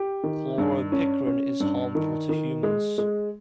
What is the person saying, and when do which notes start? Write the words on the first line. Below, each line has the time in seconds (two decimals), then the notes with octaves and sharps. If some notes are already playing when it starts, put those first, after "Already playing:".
Chloropicrin is harmful to humans.
Already playing: G4
0.23 D#3
0.58 G2
0.92 C#4
1.26 C#4
1.60 G2
1.95 D#3
2.29 D#3
2.63 G#3
2.98 G#3